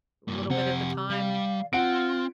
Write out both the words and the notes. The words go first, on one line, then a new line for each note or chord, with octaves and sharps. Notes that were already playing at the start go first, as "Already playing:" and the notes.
a little bit at a time.
G2 A#3
F2 C3 C5 F#5
G4
G3 F5
C4 F4 F#5 D7